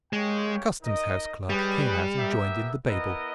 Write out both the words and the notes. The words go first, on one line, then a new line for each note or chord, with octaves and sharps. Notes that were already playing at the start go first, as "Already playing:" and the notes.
A Customs House clerk came out and joined in the babel.
G#3 A#3 C#4 G4 C#5 G5
D#4 A#4 D#5
G3 C#4 G#4 B4 D#5 G5
B3 G4 A#4 E5
B3 E4 A#4 D#5